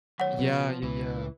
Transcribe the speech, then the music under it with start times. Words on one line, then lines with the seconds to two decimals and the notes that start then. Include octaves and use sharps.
Yeah, yeah, yeah.
0.20 F#2 D#3 C#5 F#5
0.39 B2 F#3
0.52 F3
0.83 C#2 E4 B4